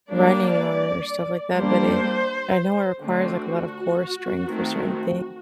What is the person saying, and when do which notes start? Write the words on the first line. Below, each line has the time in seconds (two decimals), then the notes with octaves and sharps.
running or stuff like that, but it I know it requires, like, a lot of core strength for certain things
0.10 G3 A#3 D4 D5
1.55 G3 A#3 D4 C5
3.01 D3 A3 C4 F#4
4.46 D#3 A3 C4